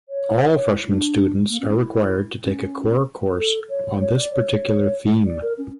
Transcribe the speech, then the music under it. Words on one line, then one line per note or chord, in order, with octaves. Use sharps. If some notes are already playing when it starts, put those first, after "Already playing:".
All freshmen students are required to take a core course on this particular theme.
C#5
C#5
E4
D4
A#3
C#4
E4
C#4
A4
C#5
C#5
D5
C#5
D5
A#4
C#4